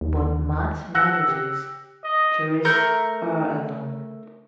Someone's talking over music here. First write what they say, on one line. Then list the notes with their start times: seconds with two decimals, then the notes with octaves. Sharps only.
But Matt manages to raise her alone.
0.01 D#2
0.94 F#5 E6 F#6 A#6 C#7
1.28 G4
2.04 D#5
2.65 A3 A#4 G6